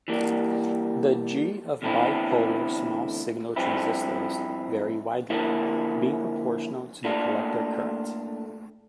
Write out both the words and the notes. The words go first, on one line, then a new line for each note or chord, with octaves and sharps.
The g of bipolar small-signal transistors varies widely, being proportional to the collector current.
E3 G3 A#3
E2 D3 A3 C4 E4
G2 F3 C4 E4
D3 F3 A#3 E4
A#2 A3 D4 F4